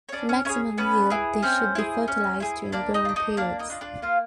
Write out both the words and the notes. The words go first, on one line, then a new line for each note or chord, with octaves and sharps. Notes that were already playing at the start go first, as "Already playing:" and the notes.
For maximum yield, they should be fertilized during growing periods.
C#5
C#4 D4 D5
C#4 C#5
C#4 E4 G#4 C#5
B3 C#4 B4
E4 G#4
C4 C#4 C5
E4 G#4
C#4
E4 G#4
A#3 D4 D5
D#4 D#5
F4
D4
D#4 D#5
A#3 D4 D5
D#4 D#5
D4 F4
D4 D5
A#3 F4 F5